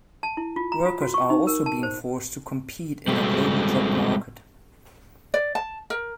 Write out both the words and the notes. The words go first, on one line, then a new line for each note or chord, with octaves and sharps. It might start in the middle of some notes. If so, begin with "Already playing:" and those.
Workers are also being forced to compete in a global job market.
A5
E4
F4
A#5
F4
F#4
C#6
D#4
A#4
A5
C5
G3 G#3 C4 F#4 A4
D5
A5
A#4